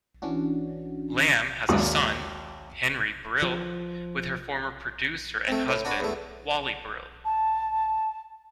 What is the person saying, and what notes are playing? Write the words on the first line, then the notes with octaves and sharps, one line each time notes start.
Lamb has a son, Henry Brill, with her former producer and husband, Wally Brill.
E3 C#4 D4 F#4
G#1 D#2 F#3 D4 D5 D#6
F3
A3 C4
A2
D4 F#4 B4
E2 A3
A5